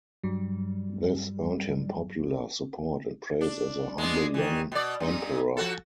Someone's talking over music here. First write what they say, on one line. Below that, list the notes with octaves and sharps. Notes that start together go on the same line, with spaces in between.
This earned him popular support and praise as a humble young emperor.
G2 F#3 G3
D4
G#3 B3 D4
D#3 E3
B2 D5
G2 D#4
F3 F#4 A4